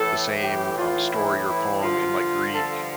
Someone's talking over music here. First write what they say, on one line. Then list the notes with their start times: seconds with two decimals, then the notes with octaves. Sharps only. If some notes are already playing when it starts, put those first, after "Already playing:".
the same, um, story or poem in, like, Greek,
Already playing: A2 E3 A4
0.42 G4
0.77 F4
1.12 E4
1.48 E4
1.83 G2 D3 F3 F4
2.53 A4